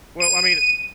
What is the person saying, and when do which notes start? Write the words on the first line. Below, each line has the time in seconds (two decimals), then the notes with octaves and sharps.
Well, I mean, eh
0.20 D#7